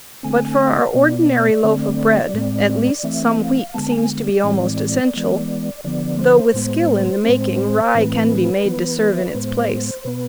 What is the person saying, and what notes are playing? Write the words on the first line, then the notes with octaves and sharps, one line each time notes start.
But for our ordinary loaf of bread, at least some wheat seems to be almost essential, though with skill in the making, rye can be made to serve in its place.
D3 A3 C4 G#5
F5
B2 B3 D5
D3 A3 C4
A2 G#3 C4
E3 A3 C4 E5
F5
D3 G#3 B3 A5
G#5
D5
A2 E3 G#3 C4 D5
E3 G#3 B3
D3 F3 B3 D5
C5
A2 G#3 B3
A2 G#3 C4
A2 E3 A3 C4 B4
E3 B3
E5
D5
A2 G#3 B3 C5
B2 B3 B4